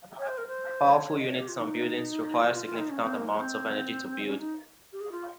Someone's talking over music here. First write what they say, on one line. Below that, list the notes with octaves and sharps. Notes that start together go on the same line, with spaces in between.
Powerful units and buildings require significant amounts of energy to build.
C#5
C5
A#4
C5
C#5
C#5
D#5
C#5
G4
F4
D#4
F4
F4
F4
D#4
C#4
C4
A#3
G#3
C4
C#4
D#4
G4
G#4
F4